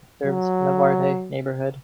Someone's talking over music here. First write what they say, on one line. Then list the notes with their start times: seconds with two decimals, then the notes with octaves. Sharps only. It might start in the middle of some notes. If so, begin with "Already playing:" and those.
It serves Narvarte neighbourhood.
0.25 F#3